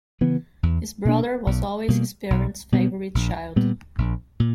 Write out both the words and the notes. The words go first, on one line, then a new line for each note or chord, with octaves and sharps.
His brother was always his parents favourite child.
C#3 E3 B3
E2
B2 A#3 D4
B1
B2 G3 A#3
B1
B2 G3 B3
A#1
A#2 G3 B3
A#1
A#2